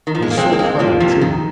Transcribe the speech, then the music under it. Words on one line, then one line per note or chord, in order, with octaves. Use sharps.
"He's so clever, too!"
D#3
F3
G#3
A#3
G#3 C4
A#3
G#3 C4
F3 A#3
C3 F3
D#3